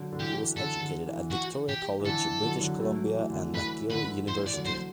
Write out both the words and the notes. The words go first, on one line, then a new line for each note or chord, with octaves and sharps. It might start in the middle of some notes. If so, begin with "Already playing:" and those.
He was educated at Victoria College, British Columbia and McGill University.
Already playing: D3 F#3
D3
E3 G4
D3 A4
D3
E3
F#4
G4
E3
D3 A4
E3
D3 F#3
D3 F#3
F#3 A3
E3
D3
E3 B4
D3 B4
E3 C5
D5
D3 F#3
C5